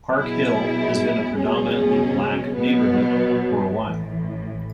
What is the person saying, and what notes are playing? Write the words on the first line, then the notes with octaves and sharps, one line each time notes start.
Park Hill has been a predominantly black neighborhood for a while.
B2 F#3 B3 E4 G#4
C#2 B2 F#3 C#4 G#4
B2 F#3 B3
A1 A2 E3